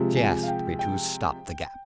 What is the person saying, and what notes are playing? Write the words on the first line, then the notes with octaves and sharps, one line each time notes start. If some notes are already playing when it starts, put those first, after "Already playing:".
She asked me to stop the gap.
Already playing: C3 F3 G#3
G#5
F5
G5
G5